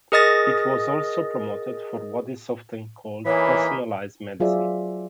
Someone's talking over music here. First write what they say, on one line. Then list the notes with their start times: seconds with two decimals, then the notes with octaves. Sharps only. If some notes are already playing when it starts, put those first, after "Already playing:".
It was also promoted for what is often called Personalized Medicine.
0.12 G#4 A#4 D#5 D#6 A6 A#6
3.26 E3 A#3 D#4 G#4 C#5 B5
4.40 F#3 F4 G#4 C5 D5 E5